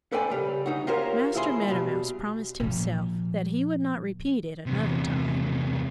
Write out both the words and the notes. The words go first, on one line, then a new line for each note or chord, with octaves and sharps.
Master Meadow Mouse promised himself that he would not repeat it another time.
A4 B4 C5 D5 G5 G#5
C#3 G3
D2 D#4 F#4
F4 G4 A#4 C5 C#5 F5
D#2 E4 F4 G#4 A4 C6
B2 G3
A#2 F3
E2 C3